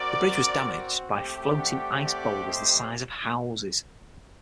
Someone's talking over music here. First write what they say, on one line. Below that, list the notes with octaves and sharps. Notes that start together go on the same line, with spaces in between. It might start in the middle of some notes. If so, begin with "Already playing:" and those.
The bridge was damaged by floating ice boulders the size of houses.
Already playing: C4 F#4 A#4 D5
A3 C4 G4
D5 F#5
D5 F#5
C5 D#5